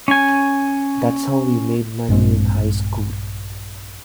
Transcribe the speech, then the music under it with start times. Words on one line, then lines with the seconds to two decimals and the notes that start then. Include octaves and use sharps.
That's how we made money in high school.
0.08 C#4 G#5
2.09 A#1 G2 G#3 C4